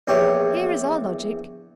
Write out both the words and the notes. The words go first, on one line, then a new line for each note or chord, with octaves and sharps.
Here is our logic.
A#1 E2 G4 C#5